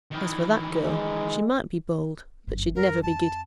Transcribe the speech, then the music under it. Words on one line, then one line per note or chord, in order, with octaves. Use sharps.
As for that girl, she might be bold, but she'd never be giddy.
D#3 E3
G#3
G1 F#2
F#2 A#4
F2 F4 A5